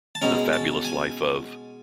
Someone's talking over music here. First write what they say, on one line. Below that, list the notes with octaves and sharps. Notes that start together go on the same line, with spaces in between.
The Fabulous Life of...
A5
B2 G#3 C#4 A#5
A5
G#5